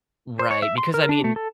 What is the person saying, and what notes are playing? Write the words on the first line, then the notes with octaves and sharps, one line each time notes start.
Right, because, I mean,
C5
C#5
E5
C6
A#4
D4
A3
A4